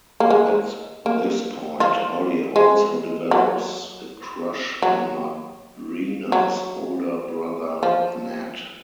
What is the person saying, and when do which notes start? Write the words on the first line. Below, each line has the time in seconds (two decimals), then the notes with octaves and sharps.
At this point, Holly also develops a crush on Marina's older brother Nat.
0.20 A#3
0.30 G#3
1.06 A#3
1.80 F3 F4
2.56 G#3
3.31 F#3
4.82 F#3
6.32 F#3
7.83 F3